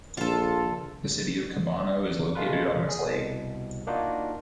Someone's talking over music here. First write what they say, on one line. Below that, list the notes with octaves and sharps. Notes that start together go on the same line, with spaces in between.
The city of Cabano is located on this lake.
A#1 F4 A4
B2 G#3 A3 F4 A#4 B4
G#4
C2 B2
A#3 D4 D#4 F4 F#4